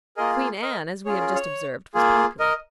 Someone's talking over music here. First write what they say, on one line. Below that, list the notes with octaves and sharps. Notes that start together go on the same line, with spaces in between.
Queen Anne, as we have just observed, was popular.
A#3 F4 G#4 A#4 D#5
A#4 D#5
C#4 F4 G#4 C#5
A#4
C#5
A#3 F4 G#4
A#4 D#5